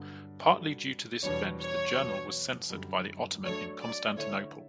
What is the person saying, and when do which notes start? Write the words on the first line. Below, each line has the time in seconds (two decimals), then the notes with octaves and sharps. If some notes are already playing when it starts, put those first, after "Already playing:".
Partly due to this event the journal was censored by the Ottoman in Constantinople.
Already playing: G2 D3 F#3
0.49 G3 D4 F#4 A4
1.23 E2 B2 G3 D4 C#5
1.60 C#5
1.97 E2 B2 F#3
2.70 F#2 D3 G3
3.43 F#3 A3 D4 A4 C#5
3.81 D5
4.17 D3 A3 E4 A4 C#5 E5